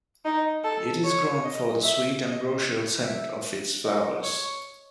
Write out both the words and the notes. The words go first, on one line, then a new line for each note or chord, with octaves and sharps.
It is grown for the sweet ambrosial scent of its flowers.
D#4
A4
C#5
D#5
E5
D#5
E5
D#5
C#5